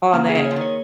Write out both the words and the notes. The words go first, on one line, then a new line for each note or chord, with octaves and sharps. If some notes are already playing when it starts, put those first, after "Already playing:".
All that.
C#3 A#3
G#4
C#3
C#5
F3
D#3 C#5